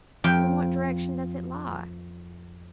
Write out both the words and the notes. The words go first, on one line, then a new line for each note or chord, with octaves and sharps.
'In what direction does it lie?'
F2 G5